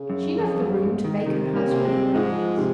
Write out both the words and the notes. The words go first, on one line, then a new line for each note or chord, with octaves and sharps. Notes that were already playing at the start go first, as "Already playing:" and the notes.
She left the room to make her household arrangements.
Already playing: C#3
F#2
F2
F#2
G#2
D#3
C3 D#3
A#3 C#4
C3
G#3 C4
G#2 F3 G#3
C3